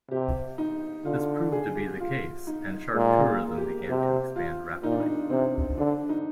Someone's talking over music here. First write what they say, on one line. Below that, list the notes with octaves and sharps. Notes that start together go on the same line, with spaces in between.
This proved to be the case and shark tourism began to expand rapidly.
C3 G4
D#4
D3 F4
G#4
G4
F4
D#4
A#2 G#3
A#3
G4
C3 G4
F4
A#2 D#4
D4
D#4
C3 C4
D3 D4
D#4